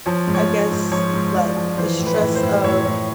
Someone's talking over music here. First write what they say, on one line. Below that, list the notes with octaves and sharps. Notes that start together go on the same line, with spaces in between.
I guess, like the stress of
F3 C#5
G#2
C#5
G#2
G#2
F3 C#5
G#2
G#2 D5
F3
E3 C5
A2
B4
A2
C5
A2
A2 C#5
A2